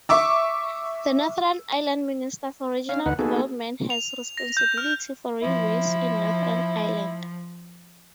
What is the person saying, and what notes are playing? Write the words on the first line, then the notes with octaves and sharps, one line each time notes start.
The Northern Ireland Minister for Regional Development has responsibility for railways in Northern Ireland.
E5 C#6 D6 E6
C#4 F5
D2 D#4 B4 F#5
A#3 B3 D#4 F#4 G#4 A4
F7
A#6
G6
F6
F3 E4